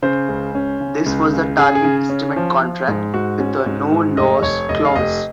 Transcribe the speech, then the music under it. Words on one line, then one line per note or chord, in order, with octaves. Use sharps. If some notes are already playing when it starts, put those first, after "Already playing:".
This was a target estimate contract with a 'no loss clause'.
C#3 C5
C#2
C#4
C#3
C#2
C#3
C#3 G#4
G#4
C#3
C#4
F3
F3
G#2
G#2 F#4
C#4
G#2
G#2
F1 D#5
F1 C#5
F1 D#5
F5
F1 D#5